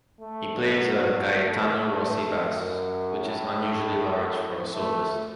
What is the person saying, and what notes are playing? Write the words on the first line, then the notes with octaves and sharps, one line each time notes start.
He plays a Gaetano Rossi bass, which is unusually large for a soloist.
A3
F#3
F#3
A3
A3
F#2
A2
A3